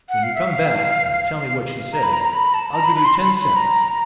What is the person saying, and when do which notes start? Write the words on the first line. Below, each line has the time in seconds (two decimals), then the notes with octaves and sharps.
When you come back and tell me what she says, I'll give you ten cents.
0.09 F#5
0.23 F5
0.35 E5
0.47 F5
1.11 F5
1.93 A#5
2.03 B5
2.13 A#5
2.24 A#5
2.33 B5
2.54 A5
2.74 A#5
2.84 B5
2.95 B5
3.05 C6
3.15 B5
3.35 B5
3.56 A#5